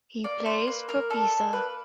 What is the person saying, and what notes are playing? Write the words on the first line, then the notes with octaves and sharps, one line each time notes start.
He plays for Pisa.
A#3 D5
C5
A#3 B4
A#4
D4 A4
A#3 B4